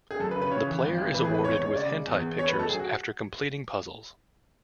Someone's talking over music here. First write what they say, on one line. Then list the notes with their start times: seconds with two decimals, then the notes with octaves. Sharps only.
The player is awarded with hentai pictures after completing puzzles.
0.11 G#4
0.20 F#2 A4
0.31 B4
0.36 C#3
0.41 B4
0.51 C#3 C#5
0.67 E3
0.83 G#1
0.98 G#1
1.14 E3 B4
1.24 G#4
1.29 G#1
1.34 B4
1.44 E2 C#5
1.55 C#5
1.61 G#3
1.66 C#5
1.76 C#3 D5
1.91 G#3
2.07 E2
2.22 E2
2.39 E2 C#5
2.48 B4
2.54 G#3
2.59 A4
2.69 F#3 G#4
2.80 F#4